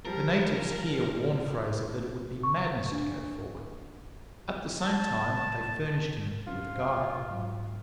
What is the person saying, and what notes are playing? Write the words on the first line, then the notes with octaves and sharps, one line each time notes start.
The natives here warned Fraser that it would be madness to go forward. At the same time they furnished him with a guide.
F3 G3 A#4
C#6
D4
A5
F#3 C4 C#4 F4
C5
G#2 F#3